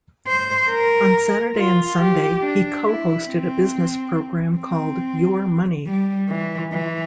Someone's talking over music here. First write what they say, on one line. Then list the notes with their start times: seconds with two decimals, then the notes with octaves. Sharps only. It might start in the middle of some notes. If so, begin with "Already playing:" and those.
On Saturday and Sunday he co-hosted a business program called "Your Money".
0.28 C5
0.71 A#4
1.57 F4
2.00 G4
2.42 D4
2.86 E4
3.28 C4
4.58 C4
5.87 G3
6.29 E3
6.73 E3